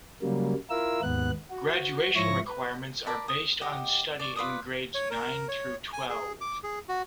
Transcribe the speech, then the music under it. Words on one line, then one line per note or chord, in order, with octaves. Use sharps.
Graduation requirements are based on study in grades nine through twelve.
C#3 F#3 G3 A#3
E4 F4 A#4 E6
D#2 G#2 B3 F#6
F#4
G#2 F3 E4 C#5 C#6 A#6
B4
A#4 D5 A5 B5
D#6
G4 D#5 F#5
D5 C#6
F4 B4 D5 D#6
C#5
A#4
C#5
G#5
G#4
D6
G#4
F#4